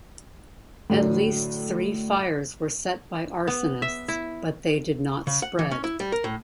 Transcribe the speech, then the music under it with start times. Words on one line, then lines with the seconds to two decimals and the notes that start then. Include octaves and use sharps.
At least three fires were set by arsonists, but they did not spread.
0.90 A2 D3 F#3
3.48 B3
3.82 E5
4.08 E4
5.27 C#3
5.42 F#5
5.59 E3
5.71 C#4
5.84 E4
6.00 G3
6.12 A#4
6.24 A2